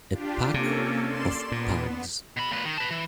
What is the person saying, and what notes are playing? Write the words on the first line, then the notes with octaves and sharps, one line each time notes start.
A pack of Pugs.
D4 F4 G4
C3 A#3 C#4 A4
D5 C6 E7
A#2 B3
B2 B5
A#2 B4
D#3
B4 A5
E3